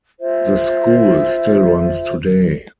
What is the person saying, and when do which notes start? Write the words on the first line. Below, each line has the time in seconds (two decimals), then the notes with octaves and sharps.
The school still runs today.
0.19 F4 C5 E5